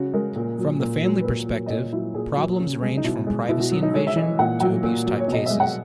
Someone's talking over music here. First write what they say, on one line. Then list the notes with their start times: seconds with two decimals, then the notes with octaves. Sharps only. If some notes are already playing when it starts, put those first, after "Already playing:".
From the family perspective, problems range from privacy invasion to abuse type cases.
Already playing: C#3 F#4
0.13 G#3 A#4
0.36 A#2
0.58 F#3
0.80 A#2
1.03 F#3
1.21 B4
1.24 A#2 A#4
1.48 F#3
1.66 D#5
1.70 A#2 C#5
1.93 F#3 E4
2.14 A#2 G#4
2.37 F#3
2.60 C#3
2.82 G#3
2.97 D#4
3.04 B2 E4
3.27 G#3
3.49 B2 E4
3.60 F#4
3.71 F#3
3.83 D#4
3.94 G#3 C#5
4.07 E5
4.16 E3 D#5
4.39 A#2 F#5
4.60 F#3 F#5
4.83 A#2
5.06 F#3
5.19 C#5
5.28 B2 D#5
5.46 G#3 E5
5.60 F#5